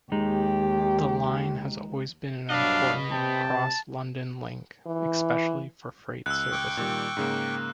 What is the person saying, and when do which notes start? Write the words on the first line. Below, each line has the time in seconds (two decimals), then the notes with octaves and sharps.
The line has always been an important cross-London link especially for freight services.
0.12 D#2 G#3 D#4 G4
2.50 G2 F#3 D4 B4 D#5 F5
3.12 C3 G5 A5
4.87 E3
6.26 C#2 E6 F#6
6.52 G5 C#6 D6
6.77 A#2 D#3 G3
7.17 G#2 C#3 A#3